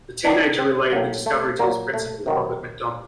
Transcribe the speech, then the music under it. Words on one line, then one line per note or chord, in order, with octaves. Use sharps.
The teenager relayed the discovery to his principal, Robert McDonald.
C3 D#3 F#3 D4
C4
A2 F#3 A#3
A3
A#2 F#3 A#3
A3
C3 D#3 F#3